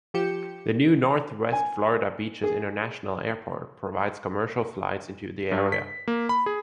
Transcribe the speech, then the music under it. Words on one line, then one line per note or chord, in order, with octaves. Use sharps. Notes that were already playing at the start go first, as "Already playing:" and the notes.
The new Northwest Florida Beaches International Airport provides commercial flights into the area.
F3 G4 G6 C#7 E7
G#5
G#4
G2
B6
A#3
B5
G#4